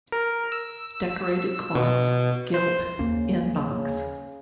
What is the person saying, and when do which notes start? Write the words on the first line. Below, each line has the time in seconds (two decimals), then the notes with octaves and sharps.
Decorated cloth, gilt, in box.
0.12 A#4
0.52 E6
1.75 B2
2.54 C5
2.99 D#2 C#3 A#3 C#4